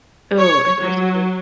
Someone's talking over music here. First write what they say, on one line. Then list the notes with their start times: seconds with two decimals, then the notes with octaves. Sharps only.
Oh, interesting.
0.37 C#5
0.81 F#3